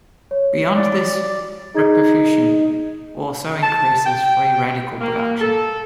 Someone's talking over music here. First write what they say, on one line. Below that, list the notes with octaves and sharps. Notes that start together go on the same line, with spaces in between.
Beyond this, reperfusion also increases free radical production.
C#5
D5
D#4 G#4 G#6
A5
G5
A#3
A4